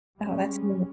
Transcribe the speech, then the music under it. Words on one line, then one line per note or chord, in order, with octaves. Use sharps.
Oh, that's neat
G3 G#3 C#4